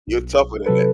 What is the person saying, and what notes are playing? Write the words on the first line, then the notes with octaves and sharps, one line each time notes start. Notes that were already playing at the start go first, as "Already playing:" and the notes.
you're tougher than that.
B1
C3 F#3 A4 B4